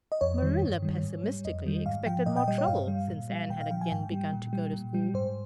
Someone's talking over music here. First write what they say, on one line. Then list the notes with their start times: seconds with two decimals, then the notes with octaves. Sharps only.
Marilla pessimistically expected more trouble since Anne had again begun to go to school.
0.12 D#5
0.21 F2 C#5
0.43 D#3 G3
0.63 G2
0.82 D#3 G3
1.03 G#2
1.24 G3
1.45 F2 D#5
1.66 D#3 G3
1.86 G#2 F5
2.06 F3 G5
2.26 A#2 D#5
2.37 G5
2.48 G3 D#5
2.58 C#5
2.68 G2 F5
2.88 G3
3.08 A#2
3.30 G3
3.49 A#2 G5
3.61 F5
3.71 F3 G5
3.81 G#5
3.91 G#2 G5
4.12 G3
4.33 A#2
4.53 G3
4.73 A#2
4.94 G3
5.14 G#2 C5